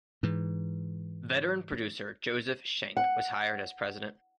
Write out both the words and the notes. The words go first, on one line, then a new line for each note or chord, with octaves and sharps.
Veteran producer Joseph Schenck was hired as president.
G#2 E3
F#5